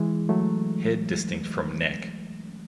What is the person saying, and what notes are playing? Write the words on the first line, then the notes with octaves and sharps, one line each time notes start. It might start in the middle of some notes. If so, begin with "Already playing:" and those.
Head distinct from neck.
Already playing: E3 G#3
F#3 A3